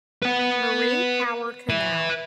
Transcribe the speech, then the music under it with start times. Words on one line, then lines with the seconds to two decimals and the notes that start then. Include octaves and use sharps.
Marie Power Canal.
0.23 B4 F#5
1.70 B4 E5